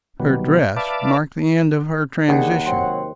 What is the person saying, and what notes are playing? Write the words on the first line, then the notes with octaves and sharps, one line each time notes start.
Her dress marked the end of her transition.
B2 D#3 F#3 G3 B3
B4 D5 E5 F5 A5 D6
D#2 D4 G#4 F#5
C3 F#3 C5 G5 C6